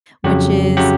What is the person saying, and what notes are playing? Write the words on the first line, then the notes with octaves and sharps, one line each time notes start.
which is
F2 C#3 F#3 G4
C#3 F#3 G4